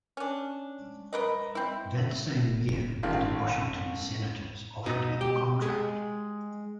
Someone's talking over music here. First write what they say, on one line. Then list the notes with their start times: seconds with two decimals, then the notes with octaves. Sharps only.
That same year, the Washington Senators offered him a contract.
0.17 C#4 D4
1.13 A#4 B4 D#5
1.55 C4 E4
3.03 A1 D#3 F4
4.86 B2 D#4
5.21 G4
5.62 G#3